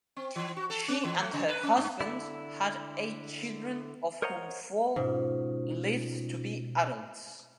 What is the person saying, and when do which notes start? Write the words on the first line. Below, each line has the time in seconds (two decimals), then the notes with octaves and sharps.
She and her husband had eight children of whom four lived to be adults.
0.16 C4
0.36 E3
0.57 F#4
0.70 A4
0.88 C#4
1.04 E3
1.18 A3
1.33 C#3
1.48 B4
1.63 C#4
1.77 G2
2.01 D3 E4
4.22 A#4 C5 C#5 D#5 F#5 A#5
4.96 G#2 B2 C#4 D#4 F4